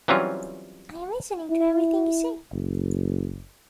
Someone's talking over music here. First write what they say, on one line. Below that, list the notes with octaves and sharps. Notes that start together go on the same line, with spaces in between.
I am listening to everything you say.
E3 F#3 G3 C4 C#4 F4
E4
F#1